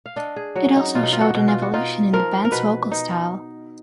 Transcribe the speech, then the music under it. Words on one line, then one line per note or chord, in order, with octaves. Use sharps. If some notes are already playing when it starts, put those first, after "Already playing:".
It also showed an evolution in the band's vocal style.
F5
D4 D#5
G#4
F#3 F#4
D#4
B2 F4
D#4
F4
F#4
B2
F4
F#4
D#4 F4
F3 A#4
A#4
B2 B4
D#4